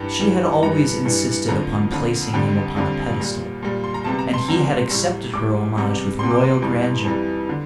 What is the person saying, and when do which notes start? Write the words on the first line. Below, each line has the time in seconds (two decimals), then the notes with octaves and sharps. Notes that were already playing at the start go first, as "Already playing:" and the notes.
She had always insisted upon placing him upon a pedestal, and he had accepted her homage with royal grandeur.
Already playing: G2 E3 G3 G5
0.20 G2 E3 G3
0.63 G2 E3 G3 A#5
1.05 G2 E3 G3
1.48 F2 D3 F3 A#5
1.91 F2 D3 F3
2.34 F2 D3 G3 G5
2.76 F2 D3 G3
3.20 A#2 G3
3.63 A#2 G3
3.84 C6
3.94 A#5
4.04 E2 C3 G3 A5
4.19 A#5
4.34 C6
4.48 E2 C3 G3 A#5
4.90 A2 G3
5.33 A2 G3 D6
5.76 E2 C3 G3
6.19 E2 C3 G3 C6
6.31 D6
6.44 C6
6.62 F2 E3 G3
7.05 F2 E3 G3
7.49 D3